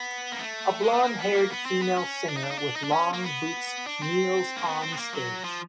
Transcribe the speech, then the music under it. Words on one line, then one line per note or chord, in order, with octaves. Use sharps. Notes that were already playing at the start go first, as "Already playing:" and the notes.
A blondhaired female singer with long boots kneels on stage.
Already playing: B3
A#3
A3
G#3
A3
A#3
B3
A#3
B3
C4
B3
C#4
D4
D#4
D4
D#4
D4
D#4
D4
C#4
A#3
B3
D4
C4
A#3
B3
C4
B3
A#3
F#3
F3